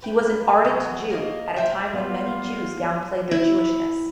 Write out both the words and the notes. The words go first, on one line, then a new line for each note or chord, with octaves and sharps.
He was an ardent Jew at a time when many Jews downplayed their Jewishness.
B4 G5
F#3
A#3 A#4 C5 D#5
C5 E5 G5
G3 B3 F4 F5
E4